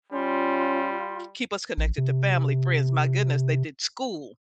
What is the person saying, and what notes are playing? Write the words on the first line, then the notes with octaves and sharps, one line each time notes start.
keep us connected to family, friends. My goodness, they did school,
G3 C#4 F4 C6
A1
C3